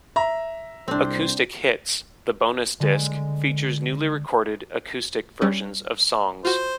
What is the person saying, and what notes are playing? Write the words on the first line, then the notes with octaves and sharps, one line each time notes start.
"Acoustic Hits", the bonus disc features newly recorded acoustic versions of songs.
E5 A#5
C2 C4 D4 C5
D3 G#3
G3 C#4
F4 F#4 C5